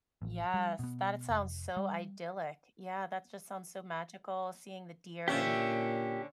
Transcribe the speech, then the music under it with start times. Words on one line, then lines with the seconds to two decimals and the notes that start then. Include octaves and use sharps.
Yes, that it sounds so idyllic. Yeah, that just sounds so magical seeing the deer, and
0.22 A1
0.54 G3
0.79 B2 B3
1.29 F1
1.77 G3
5.28 A#2 D3 C#4 G4 E5